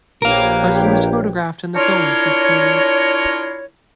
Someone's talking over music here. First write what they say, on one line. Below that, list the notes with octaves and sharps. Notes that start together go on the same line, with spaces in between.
But he was photographed in the films this period.
A#1 G4 A#4 B4 C#5 F5
D4 E4 F4 A#4 C#5